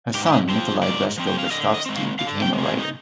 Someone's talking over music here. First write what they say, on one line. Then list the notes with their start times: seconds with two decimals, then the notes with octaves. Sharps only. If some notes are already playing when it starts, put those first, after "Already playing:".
Her son Nikolay Breshko-Breshkovsky became a writer.
0.14 G#2 G4
0.27 G4
0.32 G#4
0.49 F3 C4 C5
0.67 C5
0.82 G#2 D5
1.18 F3 C4
1.27 G5
1.38 F5
1.51 D3 D#5
1.74 D#5
1.86 G#3 C4
1.96 F5
2.19 D3 F5
2.42 G5
2.53 G#3 C4
2.65 G#4
2.78 D#4